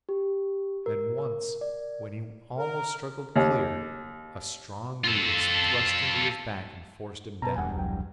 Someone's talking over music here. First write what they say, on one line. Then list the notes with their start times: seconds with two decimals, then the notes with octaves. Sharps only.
And once when he almost struggled clear, a strong knee was thrust into his back and forced him down.
0.09 G4
0.86 A#4
1.18 A#4
1.61 D5
2.58 A#4
3.36 D#2
5.04 F4 A4
7.42 B2 B4 A5 A#5
7.56 E1 E2 G2 F#5 G#5
7.76 C2 F#3 G5